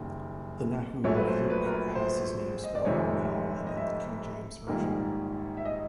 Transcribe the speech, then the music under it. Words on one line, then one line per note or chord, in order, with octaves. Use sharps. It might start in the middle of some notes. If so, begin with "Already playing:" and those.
The Nahum of Luke has his name spelled Naum in the King James Version.
Already playing: F#1 F#2 D#3 G3 A#3
A#1 A#2 F#3 A3 C#5
B4
C5
B4
A#4
B4
C5
D#5
D5
F1 F2 C3 D#3 G#3 C#5
D#5
E5
A#1 G#2 D#3 G3 A#3
E5
D#5